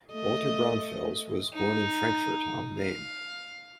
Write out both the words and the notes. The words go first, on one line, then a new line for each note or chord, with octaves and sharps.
Walter Braunfels was born in Frankfurt am Main.
A3 D#5
D#4
F5